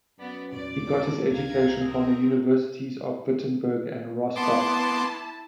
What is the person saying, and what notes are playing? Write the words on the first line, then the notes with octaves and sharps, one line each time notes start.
He got his education from the Universities of Wittenberg and Rostock.
F#2 B3 D5
E2 A#2 D5 D6
A4 A#4 D5
C#2 C3 F3 F5 A#5 G#6
C4 G#4 A#4
B3 E4 A5 C6 D6